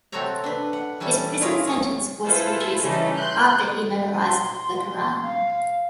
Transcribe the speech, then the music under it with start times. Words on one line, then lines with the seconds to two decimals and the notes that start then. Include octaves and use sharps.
His prison sentence was reduced after he memorized the Qur'an.
0.12 C3 C4 F#4 A4 C#5 A#5
0.44 D4 B4
0.73 F#5
1.00 E3 G3 C#4 A4 G#5
1.41 E4 F4 G#4 A#4 C#5 D5
1.65 G#4 C#5 G#5
2.25 E4 F4 G#4 A4 B4 C5
2.80 C#3 E3 G3 A3 C#4 D#4
3.16 C6 F#6 G6
4.17 C6
5.23 F5